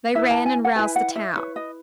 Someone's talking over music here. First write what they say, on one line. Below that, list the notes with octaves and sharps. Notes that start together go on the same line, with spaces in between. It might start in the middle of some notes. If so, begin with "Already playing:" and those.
They ran and roused the town.
E4 B4 E5
A5
G#5
F#5
E4 B4 G#5
F#5
E5
E4 B4 C#5
D#5